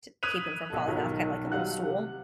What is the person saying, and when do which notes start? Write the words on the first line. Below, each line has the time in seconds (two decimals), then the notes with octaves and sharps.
to keep him from falling off, kind of like a little stool,
0.23 D#6 F#6 G#6 B6 D#7 F7
0.70 B1 A4
0.87 B1 D#3 F#3
1.52 G3 F5 F#5 F#6
1.84 C3